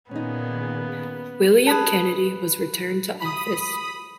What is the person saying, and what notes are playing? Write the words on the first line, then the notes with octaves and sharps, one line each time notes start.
William Kennedy was returned to office.
A#2 D#3 B3 C#4 D#4 G#4
G#4 B4 A5
B5 D#6